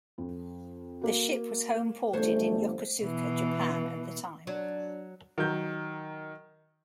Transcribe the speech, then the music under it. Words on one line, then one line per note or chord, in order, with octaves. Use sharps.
The ship was homeported in Yokosuka, Japan, at the time.
F2
A#3 F#4
G1 E2 A3 C5 C#5
B2 E3
F#3 D4 D5
D#3 F#3 G6